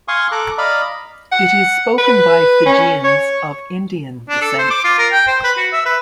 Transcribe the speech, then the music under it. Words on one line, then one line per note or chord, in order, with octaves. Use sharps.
It is spoken by Fijians of Indian descent.
F5 G#5 C6 C#6 D#6
A4 A#5 D6 F#6
D5 D#5 F5 A#5 B5
F#5
B4
C#4
C#5
D4
A4
C5
D6
F4
A#4
G5
C5
B4
F#4
E5
B4